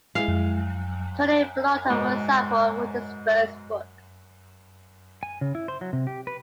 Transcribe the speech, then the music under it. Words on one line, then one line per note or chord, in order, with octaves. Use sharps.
Tony Bellotto, for example, wrote his first book.
G#3 E4 F5 G#5
G#2 B2
G#5
C#3
E4
C5
F#3
C3
G4
B4